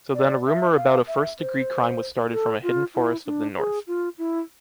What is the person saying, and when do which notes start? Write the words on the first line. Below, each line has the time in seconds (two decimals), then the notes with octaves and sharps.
So then a rumor about a first-degree crime was started from a hidden forest of the north.
0.14 D5
0.47 E5
0.76 F5
1.08 E5
1.40 C5
2.33 A4
2.63 F4
2.95 E4
3.26 D4
3.57 G#4
3.87 F4
4.18 E4